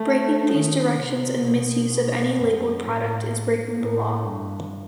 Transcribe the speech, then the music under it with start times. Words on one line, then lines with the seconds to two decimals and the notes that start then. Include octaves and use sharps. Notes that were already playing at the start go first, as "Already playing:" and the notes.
Breaking these directions and misuse of any labeled product is breaking the law.
Already playing: A3
0.52 D#3
0.99 C3
1.45 B2
2.38 F#2
2.84 A2
3.77 A2
4.23 G2